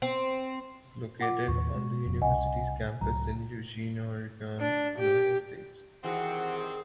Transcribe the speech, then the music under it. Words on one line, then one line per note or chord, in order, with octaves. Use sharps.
It is located on the university's campus in Eugene, Oregon, United States.
C4
F4 F#5 D6
D#2 A2 C#6
G#3
F1 F2 A2
C2 C#3 D#5 F#5 G#5
C#2 A2 F#3 A#5
D4
G4
C3 D#3 E3 C4 F#4 G#4 F#5